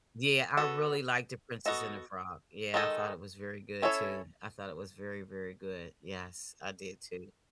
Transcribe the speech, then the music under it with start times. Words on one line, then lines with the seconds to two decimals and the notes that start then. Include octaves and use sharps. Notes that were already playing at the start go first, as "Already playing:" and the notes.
Yeah, I really liked The Princess and the Frog, yeah, I thought it was very good too, I thought it was very, very good, yes, I did too.
0.57 B3 F#4 A4
1.66 B3 F#4 A4 D#5
2.74 D#3 G#3 D#4 A4 D#5
3.82 C#4 E4 A4 C#5